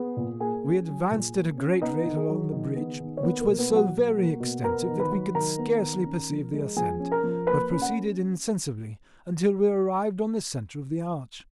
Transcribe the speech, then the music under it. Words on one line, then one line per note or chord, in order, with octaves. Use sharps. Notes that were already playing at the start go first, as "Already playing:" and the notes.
We advanced at a great rate along the bridge, which was so very extensive that we could scarcely perceive the ascent, but proceeded insensibly until we arrived on the centre of the arch.
Already playing: B3 G#4
A#2
A#3 G#4 G#5
C#4
F#3
A#2
A#3
C#4
B3 D#4 D#5
D#3
G#4
F#3
D#3
B3
D#3
C#5
A#3 B3 B4
A#3 A#4
B2
B3 B4
F#3
F#4 F#5
B2
A#3
B2
B3 A#4 A#5
D#3
B4 B5
F#3
D#3 A#4 A#5
B3
D#3
C#4
F3
G#3
F3 G#4 G#5
C#4
A#4 A#5
F3
A#3 B4 B5
C#4
F#5